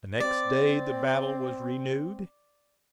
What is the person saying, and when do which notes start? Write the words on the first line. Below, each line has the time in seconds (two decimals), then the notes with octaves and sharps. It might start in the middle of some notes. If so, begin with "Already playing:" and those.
The next day the battle was renewed.
0.20 C4 D5